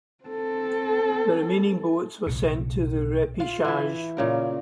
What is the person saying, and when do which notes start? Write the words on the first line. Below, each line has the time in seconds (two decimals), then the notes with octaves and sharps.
The remaining boats were sent to the repechage.
0.25 C4 A4
2.26 B1 A2 C#3
3.40 F4
3.65 E3 E4
4.17 A#2 C#3 A#4